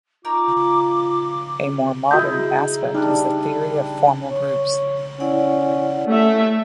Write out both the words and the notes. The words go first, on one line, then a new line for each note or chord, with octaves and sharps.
A more modern aspect is the theory of formal groups.
D#4 F4 A#4 C#5 D6
D#4 E4 F#4 G#4 G6
G3 D4 D#4
C#5
C#4 E4 D5 F#5
A3 E5